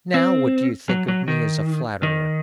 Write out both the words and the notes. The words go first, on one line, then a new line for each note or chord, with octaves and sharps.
Now what do you think of me as a flatterer?
C4
F#3
F#3
D#3
D#3